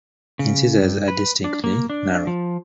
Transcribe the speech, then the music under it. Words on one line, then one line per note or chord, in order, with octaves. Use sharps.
Incisors are distinctly narrow.
C#3
G2
B4
D4
A#3
D4
F3